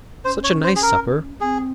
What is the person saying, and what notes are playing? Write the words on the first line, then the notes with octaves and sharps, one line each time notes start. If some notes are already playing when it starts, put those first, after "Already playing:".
Such a nice supper!
C#4 C5
C#5
C5
G#4
A#4
C4 G#4